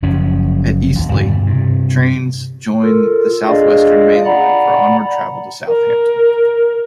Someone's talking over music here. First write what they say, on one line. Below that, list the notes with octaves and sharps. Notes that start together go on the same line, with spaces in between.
At Eastleigh, trains join the South Western Main Line for onward travel to Southampton.
F#1 F#2 F3 C#4
D#2
G2 B2 D3 G3
G2 C3
F4 A4 A#4
D4 F4 G#4 D5 D#5 F5
D5 F#5 A#5 B5
A#4